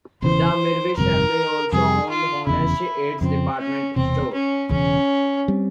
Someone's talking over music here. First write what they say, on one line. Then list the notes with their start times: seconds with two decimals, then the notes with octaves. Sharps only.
The Mirvish family also owned Honest Ed's department store.
0.22 E1 E2 C#3 E3 C5
0.97 G1 F2 C3 G3 A#4
1.72 F2 C3 G3 G#4
2.10 F4
2.47 F1 E2 C#3 E4
3.21 F2 C#3 F3 C4
3.58 C#4
3.96 E1 E2 C3 C4
4.33 C#4
4.70 E1 E2 C#3 C#4
5.48 G3 C4